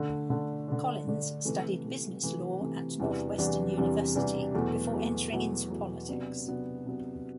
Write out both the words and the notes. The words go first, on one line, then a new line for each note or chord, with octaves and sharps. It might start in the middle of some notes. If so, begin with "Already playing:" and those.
Collins studied business law at Northwestern University before entering into politics.
Already playing: D3 A3 D4
D3 A3 D4
D3 A3 D4
D3 A3 D4
C3 E3 A3
C3 E3 A3
C3 E3 A3
C3 E3 A3
E2 C3 E3 G3 D4
E2 C3 E3 G3 D4
E2 C3 E3 G3 D4
E2 C3 E3 G3 D4
E2 B2 F#3 A3
E2 B2 F#3 A3
E2 B2 F#3 A3
E2 B2 F#3 A3
C3 F#3 B3 D4
C3 F#3 B3 D4
C3 F#3 B3 D4